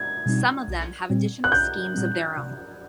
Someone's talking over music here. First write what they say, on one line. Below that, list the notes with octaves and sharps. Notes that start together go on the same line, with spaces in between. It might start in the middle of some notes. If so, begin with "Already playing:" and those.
Some of them have additional schemes of their own.
Already playing: G#6
B2 G3 C4 D#4
B1
A#2 G3 C4
F#6
B1 G6
A#2 G3 C4
C3